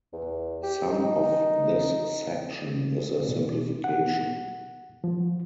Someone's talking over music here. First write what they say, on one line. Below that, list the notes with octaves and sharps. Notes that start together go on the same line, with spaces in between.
Some of this section is a simplification.
E2
G4
D#4
B2
F#5
F3